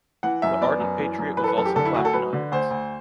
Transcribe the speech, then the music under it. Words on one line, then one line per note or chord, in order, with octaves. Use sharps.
The ardent patriot was also clapped in irons.
E3 F#5
F#2 E5
B3 D5
F#2
E3
F#2
E3 B4
A4
B4
F#2 A4
G4
D3 A4
E4
D2 F#4
A4
F#3 B4
D3
D2 C5
D2